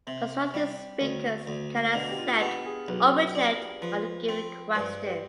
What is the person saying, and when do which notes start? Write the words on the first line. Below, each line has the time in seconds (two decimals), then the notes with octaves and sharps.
Constructive speakers can accept or reject any given question.
0.07 C3 C4
0.54 G3
1.01 D2
1.47 D2
1.95 B2 D4
2.10 G4
2.18 F4
2.41 B3 G4
2.65 G#4
2.88 B1 B4
3.35 D4
3.82 F3 B4
4.29 C4
4.75 G2 C5
5.07 G4